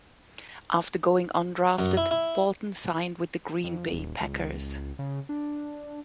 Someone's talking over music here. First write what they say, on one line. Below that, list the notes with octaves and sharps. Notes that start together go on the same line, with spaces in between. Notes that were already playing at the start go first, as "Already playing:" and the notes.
After going undrafted Bolton signed with the Green Bay Packers.
F#2
E4
E4
F2
D#1
C#2
C#3
D4